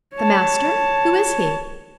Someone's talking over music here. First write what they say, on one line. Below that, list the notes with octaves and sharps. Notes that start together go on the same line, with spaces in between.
"The master?--who is he?"
C#5 A5